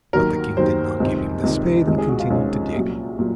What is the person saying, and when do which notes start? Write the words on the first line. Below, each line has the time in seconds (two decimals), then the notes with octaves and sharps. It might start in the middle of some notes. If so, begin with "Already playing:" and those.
But the King did not give him the spade, and continued to dig.
0.13 D#2 D#3 F#3 A#4
0.57 D#2 D#3 F#3 C5
1.00 C#2 C3 D#3
1.43 C#2 C3 D#3
1.87 C#2 C3 D#3 G#3
1.98 G#4
2.09 F#4
2.20 F4
2.30 C#2 C3 D#3 G#3 C#4
2.74 C2 A#2 F#3
3.19 A#2 F#3